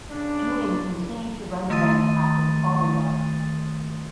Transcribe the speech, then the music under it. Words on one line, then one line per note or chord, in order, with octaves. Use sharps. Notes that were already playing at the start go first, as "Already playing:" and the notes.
Julian continued to run the ranch after his father died.
C#3 D4
D#3 A3 C6 D#6 A6 D#7